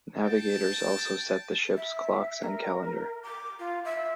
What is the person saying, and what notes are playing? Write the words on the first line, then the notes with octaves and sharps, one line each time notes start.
Navigators also set the ship's clocks and calendar.
G5 A5
E5
A#4
D6
F4
E5